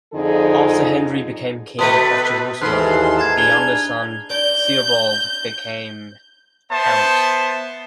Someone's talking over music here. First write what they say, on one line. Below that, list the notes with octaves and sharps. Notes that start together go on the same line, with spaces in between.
After Henry became king of Jerusalem, the younger son Theobald became count.
F2 D3 F3 D#4 G#4
B2 A3 B4 D#6
D#2 G#2 E3 A4 B5 C6 F6 F#6
A5 A#5 G#6
D4 G#5 G#6 F7 G7
D5 G6
B3 C5 E5 A5